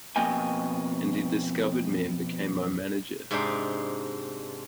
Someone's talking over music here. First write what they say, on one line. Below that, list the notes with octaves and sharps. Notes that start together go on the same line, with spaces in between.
And he discovered me and became my manager.
F2 B2 A#3 D#5 G5 G#5
G#2 C3 G#3 D4 D#4